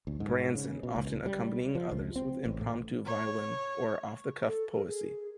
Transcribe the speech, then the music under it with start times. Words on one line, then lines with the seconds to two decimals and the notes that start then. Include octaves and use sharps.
Branson often accompanying others with impromptu violin or off-the-cuff poesy.
0.07 D2
0.20 G#2
0.55 C#3
0.83 B2
0.96 C#2
1.26 G3
1.75 F3
1.91 C#2
2.16 C4
2.45 A1
2.61 A2
3.05 C#5
4.47 A4
4.74 A#4
4.87 G#4